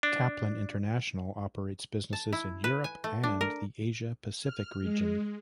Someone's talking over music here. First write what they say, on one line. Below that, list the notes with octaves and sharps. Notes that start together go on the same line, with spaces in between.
Kaplan International operates businesses in Europe and the Asia Pacific region.
D4
A5
E4
B4
G#5
A3
D4
A#4
F6
G#3